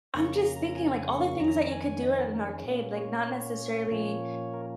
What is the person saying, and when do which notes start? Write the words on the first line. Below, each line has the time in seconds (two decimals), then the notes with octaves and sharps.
I'm just thinking, like, all the things that you could do at an ar arcade, like, not necessarily,
0.14 F2 C#3 A#3 C#4 C#6
0.35 A#5
0.56 A#5
0.77 G#5
0.86 A#5
0.96 G#5
1.09 C#6
1.40 F2 D#3 C#4 A#5
1.72 G#5
2.02 D#5
2.19 A#4
2.34 A#4
2.50 G#4
2.65 A#2 A#3 C#4
2.97 C#5
3.91 A#2 F3 A#3 C#4
4.53 A#4